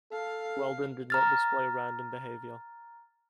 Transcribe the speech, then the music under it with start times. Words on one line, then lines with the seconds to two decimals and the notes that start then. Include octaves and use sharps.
Weldon did not display "random" behavior.
0.12 A4 F5
1.10 A#5 F6 A6